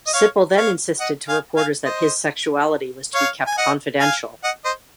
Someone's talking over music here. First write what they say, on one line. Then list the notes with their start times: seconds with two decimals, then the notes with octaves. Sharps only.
Sipple then insisted to reporters that his sexuality was to be kept confidential.
0.07 D#5
0.13 C#5 F5
0.57 C#5 F5
1.00 D#5 F#5
1.29 F5 G#5
1.57 F5 G#5
1.85 C5 D#5
3.14 C#5 F5
3.47 G#5
3.57 D#5 F#5
4.00 F5 G#5
4.44 D#5 F#5
4.64 C5 D#5